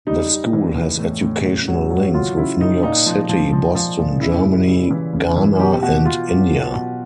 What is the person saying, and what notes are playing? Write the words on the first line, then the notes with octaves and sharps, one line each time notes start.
The school has educational links with New York City, Boston, Germany, Ghana, and India.
G3 D#4
G3
E3
E3
A2
A2
C#3
F#3
F#3
F#3 F4
C#3 E4
C#3 D#4
A#2 D#4
F3
F3
F3
F3
A#2
C#3 E4
G3
C#3
E3
C#3
E3
B2 G4
B2 F#4
B2 F4
F#3
F#3
B2